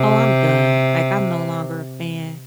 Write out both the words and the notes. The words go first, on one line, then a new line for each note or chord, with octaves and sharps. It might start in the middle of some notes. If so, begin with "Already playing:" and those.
"Oh, I'm done. Like, I'm no longer a fan."
Already playing: C3